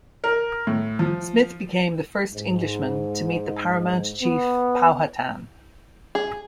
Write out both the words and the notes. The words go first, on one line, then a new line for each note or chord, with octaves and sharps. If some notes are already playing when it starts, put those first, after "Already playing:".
Smith became the first Englishman to meet the paramount chief Powhatan.
A#4
A2
F3
G#2
B3
G#4